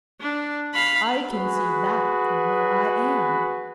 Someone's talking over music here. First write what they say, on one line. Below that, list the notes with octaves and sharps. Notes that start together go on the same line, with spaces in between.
I can see that from where I am.
D4
F5 B5
F#4 G#4 B4